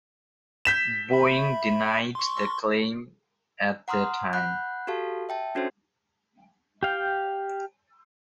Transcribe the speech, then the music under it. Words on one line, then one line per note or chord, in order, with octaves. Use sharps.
Boeing denied the claim at the time.
G6 B6 E7
E5 B5
C6 C#6
F#5 A#5 C6 D#6 F6
F#5 B5 F#6 G6
F#4 G4 A4 F5 A5
E5 G5 A5
C#4 D4 F#4 A4 C5 C#5
G4 F5 G5